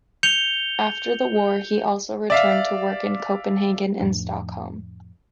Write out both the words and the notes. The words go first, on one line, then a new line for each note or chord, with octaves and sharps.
After the war, he also returned to work in Copenhagen and Stockholm.
G6 C#7 F7 G7
D5 E5 F5
F2 A2 F3 D4